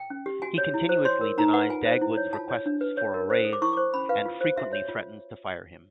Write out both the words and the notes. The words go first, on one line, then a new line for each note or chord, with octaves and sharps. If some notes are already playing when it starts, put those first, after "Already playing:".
He continuously denies Dagwood's requests for a raise and frequently threatens to fire him.
Already playing: G5
C#4
G4
F#4 G#5
C#5
E4
C5
C#5 C6
A#4
D#4 A#5
B4 F#5
F4 G#5
C5
E4
C#5
F4 A5
C#5
D4
B4
C#5
A#4
C5
A4
D6
E4 C#6
D6
C5 C#6
C#4 B5
B4 F5
F4
C5
F#4 E5
C#5
F4